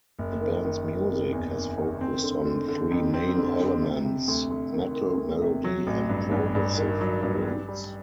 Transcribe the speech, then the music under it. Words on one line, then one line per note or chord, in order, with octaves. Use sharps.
The band's music has focused on three main elements: metal, melody, and progressive roots.
F#1
D#3
D#3
D#3
C3
E2
D#3
D#3
C4
D3
D3
D3
F2
C4
D3
D3
C3
C3
D2
D2
D#3
D#3
D2
C3
F#3
A1
G2
G2
G2
D#3
F#3
G2
G3
G3